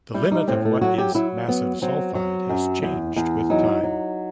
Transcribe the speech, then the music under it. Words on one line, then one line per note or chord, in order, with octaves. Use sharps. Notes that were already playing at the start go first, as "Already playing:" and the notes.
The limit of what is "massive sulfide" has changed with time.
G3 E4
D#4
A2 C4
A3
F#3 F#4
G4
F#3 E4
F#3 B3
F#3 C4
F#3
F#2
E2
E2
F#3 D#4
F#3